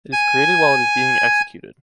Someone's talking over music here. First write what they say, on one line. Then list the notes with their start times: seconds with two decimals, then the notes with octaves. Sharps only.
It is created while it is being executed.
0.12 G#5 G#6